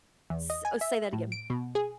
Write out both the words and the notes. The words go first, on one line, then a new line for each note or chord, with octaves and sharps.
S Oh, say that again.
E2
D#5
G#5
E5
A2
D7
B2
G#4